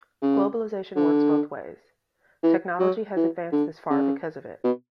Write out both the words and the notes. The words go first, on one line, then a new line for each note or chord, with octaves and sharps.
Globalization works both ways. Technology has advanced this far because of it.
C#3
D3
E3
F#3
E3
D3
C#3
B2